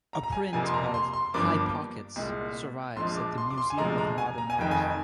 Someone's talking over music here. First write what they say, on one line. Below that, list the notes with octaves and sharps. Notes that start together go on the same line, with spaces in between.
A print of "High Pockets" survives at the Museum of Modern Art.
A#5
A#5
G#5
F2 C3 F3 A#3 G#5
C6
A#5
C6
C6
G1 G2 F3 A#3 D6
C2 A#2 G#3
A#1 A#2 F3 G#3 C6
D6
C6
D6
C6
G#5
D2 C3 F3 G#3 A#5
A#5
G#5
A#5
G#5
F1 F2 D#3 G5
G#5